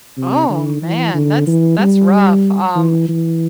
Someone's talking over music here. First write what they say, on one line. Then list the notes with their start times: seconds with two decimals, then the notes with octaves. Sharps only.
Oh, man, that's that's rough, um,
0.17 C3
0.49 D3
0.82 E3
1.14 D3
1.47 E3
1.79 G3
2.76 E3
3.08 E3